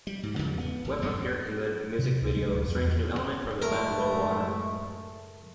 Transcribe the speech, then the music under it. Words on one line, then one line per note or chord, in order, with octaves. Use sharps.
Webb appeared in the music video "Strange New Element" from the band Low Water.
G3
G#2
E2 C#3 E3 F3
B3
G#1
D#1 G2 B2 G#3
C3
C#2
G#3
D1
E2
F#1 A2 G#3 A3 A#4